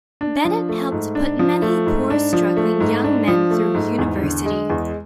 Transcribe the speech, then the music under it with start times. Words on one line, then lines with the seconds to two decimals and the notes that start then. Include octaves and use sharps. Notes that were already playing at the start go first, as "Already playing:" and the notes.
Bennett helped put many poor, struggling young men through university.
0.21 D4
0.45 F3
0.69 A3
0.92 G#2
1.15 D4
1.39 F3
1.62 A3
1.86 G#2
2.10 D4
2.33 F3
2.57 A3
2.80 G#2
3.04 D4
3.28 F3
3.51 A3
3.75 G#2
3.99 E2
4.22 D3
4.46 G#3
4.70 E2